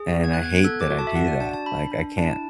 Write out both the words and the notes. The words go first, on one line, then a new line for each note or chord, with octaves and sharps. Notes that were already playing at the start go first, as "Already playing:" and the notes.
and I hate that I do that, like, I can't
Already playing: G#4
B3
G#6
F#6
B3
G#6
G#6
A4 F#6
D6
F#4
A5
E5
F#4 F#5
D5
D4 A5
A5
D4 B5
D4
E4 A5